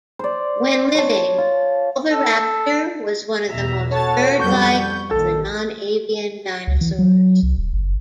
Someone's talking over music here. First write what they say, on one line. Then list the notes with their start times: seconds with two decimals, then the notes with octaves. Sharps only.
When living, "Oviraptor" was one of the most bird-like of the non-avian dinosaurs.
0.19 C5 D5
0.95 C#5 A5
1.38 F4
2.11 A4
3.49 E2 B2 E5 A#5
3.90 F#4 A4 C#5 A5 A6
4.40 F2 G3 C#6 G6
5.11 A#1 D#3 A4
6.67 C#2
6.81 E3
6.99 F#3
7.43 C2
7.57 D#1
7.73 F#1